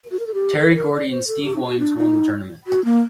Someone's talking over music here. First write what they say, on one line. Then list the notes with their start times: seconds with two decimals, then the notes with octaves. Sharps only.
Terry Gordy and Steve Williams won the tournament.
0.11 F#4
0.19 A#4
0.27 A4
0.34 G4
0.58 A4
0.70 C5
0.75 A#4
0.92 D5
1.10 C5
1.27 A4
1.45 G4
1.56 D#4
1.63 F#4
1.80 D4
1.98 D#4
2.67 F#4
2.85 A#3